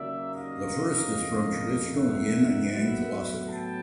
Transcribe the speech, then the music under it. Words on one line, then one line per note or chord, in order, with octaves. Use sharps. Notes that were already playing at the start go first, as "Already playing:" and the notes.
The first is from traditional Yin and Yang philosophy.
Already playing: D#2 C#3 F#3 A#3 D5 E5
D#5 F5
F2 C#3 F3 A#3
E5 F#5
A2 F#3 B3
G5 A5